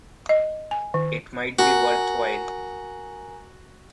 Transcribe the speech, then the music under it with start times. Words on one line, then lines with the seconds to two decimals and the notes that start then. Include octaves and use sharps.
It might be worthwhile.
0.29 D#5
0.71 G#5
0.94 D#3
1.59 F#4 A#4 G#5 A#5